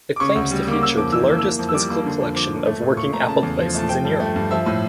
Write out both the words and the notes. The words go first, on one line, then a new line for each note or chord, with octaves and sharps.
It claims to feature "the largest physical collection of working Apple devices in Europe".
D6
C#3 C#6
D2
G3
A#3 D6
C#3 E6
F2 D6
E3 E6
A#3
E6
E3
F2
E6
G3 D6
A#3
D3
F2
F3 D6
A#3
A3
A#2
A#2 C#6
A3 A#5
C#3 A5
E2
F3
A3 A5
F3 G5
G2
A3
G2
F3 E5
A2